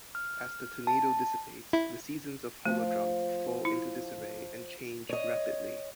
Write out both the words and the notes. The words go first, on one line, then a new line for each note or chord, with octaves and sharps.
As the tornado dissipates, the seasons of Holodrum fall into disarray and change rapidly.
F6
A5
E4
F3 A3
E4
C#5 D#5